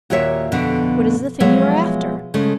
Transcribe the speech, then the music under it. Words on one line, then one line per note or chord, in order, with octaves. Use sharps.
What is the thing you are after?
D#2 A#2 F4 F#4 C#5 E5
F2 B2 D3
B2 F3 F#3 G#3 C#5 E5
C#3 G#3 A3